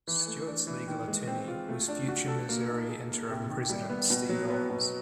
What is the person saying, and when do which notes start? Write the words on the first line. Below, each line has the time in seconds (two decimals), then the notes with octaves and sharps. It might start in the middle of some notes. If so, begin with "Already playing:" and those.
Stewart's legal attorney was future Missouri interim president Steve Owens.
0.07 E3
0.27 A3
0.47 D4
0.67 E3
0.87 D#3
1.08 G#3
1.27 C4
1.48 F4
1.68 A3
1.88 D4
2.08 F#4
2.28 A4
2.49 A#3
2.69 D#4
2.89 G#4
3.09 A#3
3.29 C3
3.49 D#3
3.70 G3
3.90 B3
4.10 B2
4.29 F#3
4.50 B3
4.70 B2